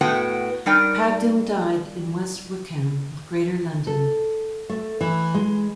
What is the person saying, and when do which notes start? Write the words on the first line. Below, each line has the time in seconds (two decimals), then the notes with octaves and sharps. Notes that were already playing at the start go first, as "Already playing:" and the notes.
Padgham died in West Wickham, Greater London.
0.01 A2 A3 B3 F#4 B4 G5
0.66 G3 D#4 A#4 D5 G5
3.87 A4
4.69 A3
5.01 E3
5.34 G#3